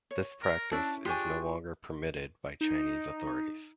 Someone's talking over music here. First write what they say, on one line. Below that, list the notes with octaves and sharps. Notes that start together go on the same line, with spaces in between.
This practice is no longer permitted by Chinese authorities.
C#5
A#4
C#4 D4 E4 A5
D4 F4 G4 G#4 C5 G#5 C#6
D#4